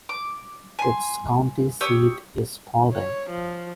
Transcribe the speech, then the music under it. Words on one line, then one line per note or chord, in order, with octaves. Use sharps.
Its county seat is Paulding.
D6
G#5 C6
G4 C#5 D#6 E6
C#5
F3